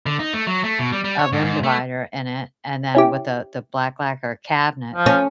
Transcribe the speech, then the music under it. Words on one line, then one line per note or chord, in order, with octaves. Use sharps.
uh, room divider in it, and then with a the black lacquer cabinet.
D3
D#4
A3
F#3
A3
B2
G3
G3
C#5
G#2
G#2
A3
C#4 E4 G4
F3
C#4